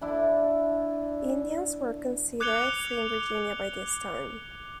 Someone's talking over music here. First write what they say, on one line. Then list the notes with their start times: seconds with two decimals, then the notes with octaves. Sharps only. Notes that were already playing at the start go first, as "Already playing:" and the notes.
Indians were considered free in Virginia by this time.
0.01 D4 E4 A5
2.40 D6 F#6 G#6 C#7 F7 G7